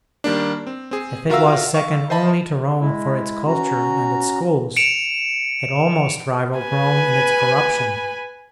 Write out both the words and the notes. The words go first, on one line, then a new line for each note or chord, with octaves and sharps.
If it was second only to Rome for its culture and its schools, it almost rivalled Rome in its corruption.
D#3 G3 A#3 D4
C4
C4 G#4
F4 F#4 A#4 E5 F5 E6
F5 C#6
C5 D#5 E5 A5 B5
G#3 E4
C#4 F#4 A#5
C#7 D7 E7 F7
B4 G#5